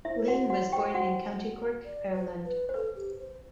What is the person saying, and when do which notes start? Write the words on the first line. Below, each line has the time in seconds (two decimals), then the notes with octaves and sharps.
Lane was born in County Cork, Ireland.
0.05 E4 C5 E5
0.28 F#4 F#5
0.50 F#4 F#5
0.72 G4 G5
0.94 F#4 F#5
1.85 D5
2.14 C5
2.44 B4
2.69 C5
2.74 A4 B4
2.96 G4
3.19 C5